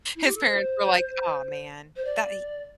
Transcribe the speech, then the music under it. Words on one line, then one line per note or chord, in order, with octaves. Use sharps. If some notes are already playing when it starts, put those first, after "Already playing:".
His parents were like, "Aw, man, that he
E4
G4
A4
C5
C5
D5